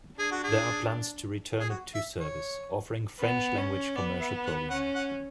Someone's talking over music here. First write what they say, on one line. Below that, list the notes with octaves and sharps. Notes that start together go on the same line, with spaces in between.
There are plans to return it to service, offering French-language commercial programming.
D4 G#4
F#4
G#4
G#4
F#4
E5
C#5
B3
C#4
B3 D5
E5
F#5
C#4 F#5
F#5